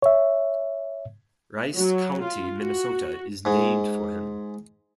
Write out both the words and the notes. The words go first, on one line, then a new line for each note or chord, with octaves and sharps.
Rice County, Minnesota is named for him.
C#5 E5
F#3
F4
F#4
G#2 G#3